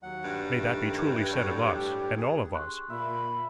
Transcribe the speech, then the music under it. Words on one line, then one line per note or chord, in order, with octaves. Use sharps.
May that be truly said of us, and all of us!
D#2 F#3 F#5
G2
D#3 A3
F#3 A4 C#5
A2 G3 G4
G#4
C6 C#6 F#6
A#2 E5 B5